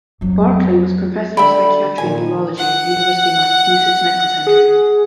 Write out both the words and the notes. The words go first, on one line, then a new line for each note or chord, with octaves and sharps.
Barkley was professor of psychiatry and neurology at the University of Massachusetts Medical Center.
F2 F#3
D3 D5 E5 G5 B5
A#2 D#3 G#5
F#5
G#4